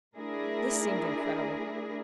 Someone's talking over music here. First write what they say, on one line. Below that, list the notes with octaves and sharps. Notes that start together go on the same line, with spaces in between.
This seemed incredible.
A3 D4 E4 G#4 A#4